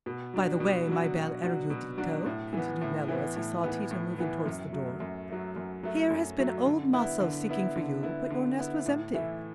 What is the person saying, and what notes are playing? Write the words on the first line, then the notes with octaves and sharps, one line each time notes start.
By the way, my bel erudito," continued Nello, as he saw Tito moving towards the door, "here has been old Maso seeking for you, but your nest was empty.
B2
F#3 D4 F#4
B2
F#3 D4 F#4
B2
F#3 D4 F#4
B2
F#3 D4 F#4
A2
E3 B3
A2
E3 B3
A2
E3 B3
A2
E3 B3
F#2
F#3 A3
F#2
F#3 A3
F#2
F#3 A3
F#2
F#3 A3
D3
B3 E4
D3
B3 E4
D3
B3 E4
D3
B3 E4
A2
E3 A3 E4